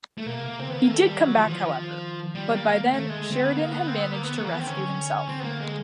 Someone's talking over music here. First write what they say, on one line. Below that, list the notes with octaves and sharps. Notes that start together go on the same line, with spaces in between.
He did come back however but by then Sheridan had managed to rescue himself.
A3
B2 A#3
C3
C#3
C4
D#3 B3
A#3
D#3 A3
G3
F#3
F3
E3
F3
G3
A#3
D#3
A3
D#3
G#3
D3
C4
B3
A#3
B3
C4
B3
A#3
B3
F3 A3
E3 A#3
B3
D#3 C4
D3 C#4
C4
B3
A#3
G#3